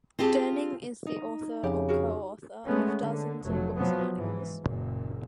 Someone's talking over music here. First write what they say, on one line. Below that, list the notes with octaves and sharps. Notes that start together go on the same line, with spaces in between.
Durning is the author or coauthor of dozens of books and articles.
C4 F4 G4 G#4 A5
D#4
F2 C#3 G4
F#4 G#4 A#4
G#3 A3 B3 C#4
D3
F1 F#3 A3
C3 F3 F#3 B3
G#2 E3
F#1 A#2